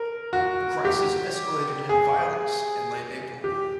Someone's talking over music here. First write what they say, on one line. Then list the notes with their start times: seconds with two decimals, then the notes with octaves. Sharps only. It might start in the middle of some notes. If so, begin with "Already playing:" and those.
The crisis escalated into violence in late April.
Already playing: A#4
0.33 F#4
0.85 G4
1.89 G#4
3.44 G4